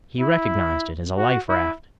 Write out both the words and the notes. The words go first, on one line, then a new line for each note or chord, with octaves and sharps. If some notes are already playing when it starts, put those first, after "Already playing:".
He recognized it as a life raft.
E4
F#4
E4